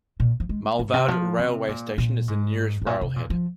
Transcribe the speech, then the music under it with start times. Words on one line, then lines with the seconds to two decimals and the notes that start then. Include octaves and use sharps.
Mulvad Railway Station is the nearest railhead.
0.20 A#2
0.40 F3
0.49 G#3
0.79 G#2
0.94 C3
1.08 F3
1.39 C3
1.68 A#2
1.98 A#2
2.28 G#2
2.82 G#2
2.87 A#2
3.01 C3
3.16 A#2
3.30 F3